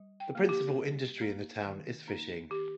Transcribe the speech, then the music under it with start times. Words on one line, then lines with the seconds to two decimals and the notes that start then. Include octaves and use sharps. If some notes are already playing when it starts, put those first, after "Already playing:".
The principal industry in the town is fishing.
Already playing: G3
0.20 G5
0.35 A#3 D#4
0.49 G4
0.79 G3
1.21 A#3 D#4
1.65 D#3
2.07 A#3 D#4
2.50 D#3 G4